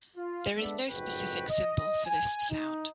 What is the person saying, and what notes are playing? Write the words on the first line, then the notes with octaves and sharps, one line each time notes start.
There is no specific symbol for this sound.
F4
G#3 B3 D4 A4 E5
F#1 F2 G#2 F#4 B4 G5
D#5
G#5
D#4